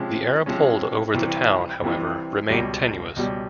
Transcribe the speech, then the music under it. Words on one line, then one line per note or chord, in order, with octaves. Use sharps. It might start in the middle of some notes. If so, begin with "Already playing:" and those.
The Arab hold over the town, however, remained tenuous.
Already playing: C3 F3 G#3 C#4
C3 F3 G#3 C#4
C2 C3 E3
C2 C3 E3
C#2 B2 G3
C#2 B2 G3